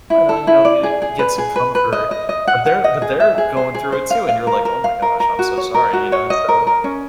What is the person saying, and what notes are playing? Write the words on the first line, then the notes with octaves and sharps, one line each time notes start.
I don't know, you know, g get some comfort, but they're but they're going through it too, and you're like, "Oh my gosh, I'm so sorry," you know, and so
E4
A4
E4
D5
G#4
G#4
B4
G#4
B4
B4
D#5
D#5
D#5
F#5
F#5
D#5
G#4
E5
G#4
C5
G#4
C5
F5
F5
A#4
A#4
F5
A#4
A#4
F#4
C#5
A#4
F#4
C#5
D#5
A#4
A#4
C#4